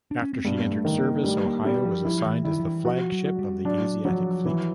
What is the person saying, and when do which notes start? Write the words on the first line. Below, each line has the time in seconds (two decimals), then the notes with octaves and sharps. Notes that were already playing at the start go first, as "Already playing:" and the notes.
After she entered service, "Ohio" was assigned as the flagship of the Asiatic Fleet.
0.11 D4
0.22 C#4
0.33 C4
0.45 G2 B3
0.71 A3
0.85 D#3
0.98 A#3
1.24 G3 A3
1.45 A#3
1.65 G3 B3
1.85 F3
2.05 F3 E4
2.25 E3
2.45 D#3 E4
2.60 F3
2.65 E3
2.85 F3 F#4
3.12 F#3
3.25 F#4
3.39 G3
3.65 F#3 D4
4.05 F3 F#3
4.46 E3